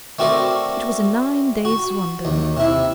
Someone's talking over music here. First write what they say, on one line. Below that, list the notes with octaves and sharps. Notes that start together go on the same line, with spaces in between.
It was a nine days' wonder.
A3 C4 F#4 A#4 D5
F#4
D#2
C3 E4